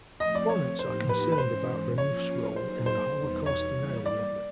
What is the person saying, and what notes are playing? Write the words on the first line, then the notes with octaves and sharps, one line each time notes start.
Opponents are concerned about Renouf's role in the Holocaust denial movement.
F3 A3 C4 D#5
D5
C#5
A2 F3 A#3 D#4 G4 C5
B4
B4
G#2 E3 G#3 C#4 C5
F3 A#3 C#4 F4 C#5
F#3 A#3 D#4 G#4 C5
C5
E2 B2 G3 B3 D#4
C#5
E3 G3 A#3
D5